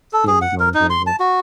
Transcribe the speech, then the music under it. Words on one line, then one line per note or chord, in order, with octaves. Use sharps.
his team was going very good.
A4
G#4
F#5
A#4
D#4
C6
A5
F#4